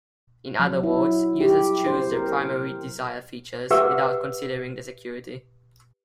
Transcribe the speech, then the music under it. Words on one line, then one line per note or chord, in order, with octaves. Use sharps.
In other words, users choose their primary desire features without considering the security.
F#3
E4
G4
C5
A#4
G4 B4 E5 F#5 D6 E6